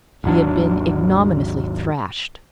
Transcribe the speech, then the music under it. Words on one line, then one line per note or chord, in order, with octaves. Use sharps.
He had been ignominiously thrashed!
G#1 D#2 F#3 D4